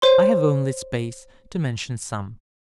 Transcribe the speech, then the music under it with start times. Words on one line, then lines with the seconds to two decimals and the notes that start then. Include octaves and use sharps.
I have only space to mention some.
0.02 C5 C#5 C6